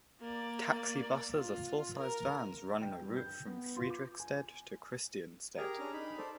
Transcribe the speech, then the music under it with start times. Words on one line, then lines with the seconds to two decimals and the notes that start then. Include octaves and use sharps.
Taxi buses are full-sized vans running a route from Frederiksted to Christiansted.
0.21 A#3 D5
1.36 F4
1.97 A#4
2.81 G5
3.01 G2
3.16 G6
3.47 B3
3.77 F4
3.90 D6
4.20 G#5
5.57 G4 G#4 A#4 A#5
5.79 C#4 D4 A#5
5.93 D#4 B5
6.18 A4 C5 D5